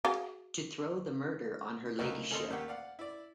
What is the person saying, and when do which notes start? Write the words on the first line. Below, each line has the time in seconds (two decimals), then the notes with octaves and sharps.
To throw the murder on her ladyship.
0.05 F#4 G#4 F5
1.99 C2 C#3 A3 A#3 D#4 F#4
2.30 D#2 C#4 A4 D#5 C6
2.50 D#2 A3 A#3 G4 F#5
2.68 D5 F5 F#5
2.99 E4 D5